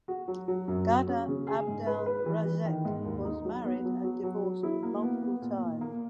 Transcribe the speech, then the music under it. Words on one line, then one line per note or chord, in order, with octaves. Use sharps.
Ghada Abdel Razek was married and divorced multiple times.
F#4
F#3
F#3
F#2
F#3
C#4
C#3
G#4
G#2
B4
B4
E3
E3
D#3
G#2
D#2
D#4
F#3
B3
F#3
F#3
F#3
F#3
E4
A#3
B3
B3
A#2
A#2
A#3